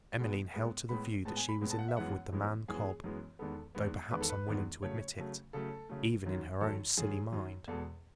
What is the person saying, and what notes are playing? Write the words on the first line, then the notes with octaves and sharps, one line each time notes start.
Emmeline held to the view that she was in love with the man Cobb, though perhaps unwilling to admit it, even in her own silly mind.
B2 G#3 B3
A2 G#3 B3
A2 G#3 B3 B5
A2 G#3 B3 A5
G#5
B5
A2 G#3 B3
A5
F#5
E5
F#2 E3 G#3 B3 F#5
F#2 E3 G#3 B3
F#2 E3 G#3 B3 G#4
F#2 E3 G#3 B3
E2 D#3 G#3 B3 A4
E2 D#3 G#3 B3
E2 D#3 G#3 B3 B4
A4
B4
E2 D#3 G#3 B3
C#3 F#3 A3 C#5
C#3 F#3 A3
C#3 F#3 A3 A4
C#3 F#3 A3
F#2 D#3 F#3
F#2 D#3 F#3 A4
F#2 D#3 F#3 G#4
F#2 D#3 F#3
E2 B2 G#3 A4